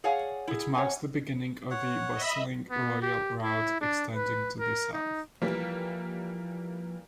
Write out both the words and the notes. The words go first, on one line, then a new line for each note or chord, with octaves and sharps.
It marks the beginning of the bustling Royal Route extending to the south.
G#4 C#5 D5 F5 F#5 G#5
E4 G#4
C#5 F#5 G#5
C#5 F#5
D#5 E5 B5
B3
G4
E4
D4
B4
A#4
D#4
E3 F3 G3 A#3 B4